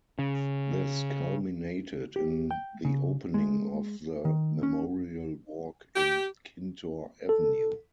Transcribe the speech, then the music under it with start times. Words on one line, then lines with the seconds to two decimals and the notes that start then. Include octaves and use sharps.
This culminated in the opening of the Memorial Walk in Kintore Avenue.
0.19 C#3
2.16 G4
2.51 G5
2.85 C#3
3.34 G#3
4.25 D#3
4.63 C#4
5.96 G4
7.29 A4